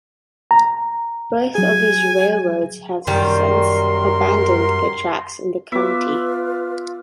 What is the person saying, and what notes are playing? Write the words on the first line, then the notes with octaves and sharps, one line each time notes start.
Both of these railroads have since abandoned their tracks in the county.
A#5
F#3 G#4 G#5
F#2 D#3 G3 A#4 C6
B3 F4 B4 E5 D6